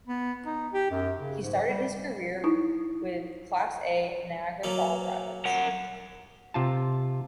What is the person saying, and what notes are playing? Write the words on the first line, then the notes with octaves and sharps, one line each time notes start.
He started his career with class A Niagara Falls Rapids.
B3
D#4
G4
F#2
C#3
G#2
G3
D#4 E4
F#3 A#3
A#4 F#5
C3 F4 A5